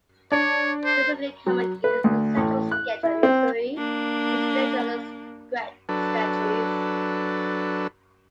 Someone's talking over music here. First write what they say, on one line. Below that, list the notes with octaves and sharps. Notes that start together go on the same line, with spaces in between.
Relatively common in the central stretch of Misuri, but strange in other stretches.
D4 C#5
C5
F#3
B4
D2
A1
F#6
E4
C4
A#3 D4
F#3 D4 A4 B4